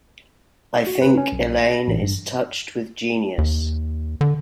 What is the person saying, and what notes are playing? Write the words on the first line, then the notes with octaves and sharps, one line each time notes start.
I think Elaine is touched with genius.
F#4
B4
C#4
B1
A#6
A1
G2
D#2
D3